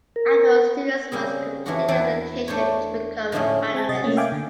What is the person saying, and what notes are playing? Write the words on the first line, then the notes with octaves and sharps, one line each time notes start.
Afterwards students must complete an application to become a Finalist.
A#4
C#3 G3 C4 G#4
F2 E3 C#4 D4 F#4 F#5
E2 E4 D5 F#5 B5
A3 D4 C5 C#5
A2 D3 F3 A3 C#4 G#4
C4 G#5 A5
C3 D#5 A6
A3 A#3 C#4
E5 F5 G5 G#5 D6
D3